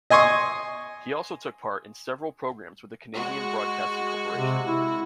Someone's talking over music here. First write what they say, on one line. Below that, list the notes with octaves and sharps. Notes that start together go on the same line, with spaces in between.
He also took part in several programs with the Canadian Broadcasting Corporation.
D#5 G#5 C6 C#6 D#6
G#3 F#4
C3
E4